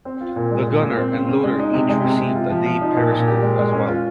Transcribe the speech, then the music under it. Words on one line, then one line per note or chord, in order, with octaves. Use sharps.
The gunner and loader each received a day periscope as well.
C4
F4
A#2
G#3
A#2
A#2
C4
C#3
C#3
G#3
D#4
C3
G#3
C3
C3
F4
F3
F3
D#4
A#2
A#2
G4
G#3
G#3
C#4
F4